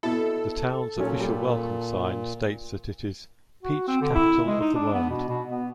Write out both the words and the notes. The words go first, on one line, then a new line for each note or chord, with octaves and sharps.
The town's official welcome sign states that it is "Peach Capital of the World".
B2 E4 A4
A#2 F#3 C#4
G3
F#4
C4
D3
E4
G#3
D#4
D4
B3
B2
B2
B3